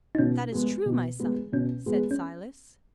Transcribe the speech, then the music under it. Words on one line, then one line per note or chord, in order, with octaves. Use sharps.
"That is true, my son," said Silas.
D#4
B2 C#4
G#3 B3 G#4
B2
G#3 B3 G#4
B2 C#4
G#3 B3 G#4
C#4